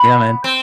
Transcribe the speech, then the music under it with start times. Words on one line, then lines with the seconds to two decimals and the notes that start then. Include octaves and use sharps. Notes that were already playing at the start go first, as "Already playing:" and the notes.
Yeah man.
Already playing: B3
0.44 C4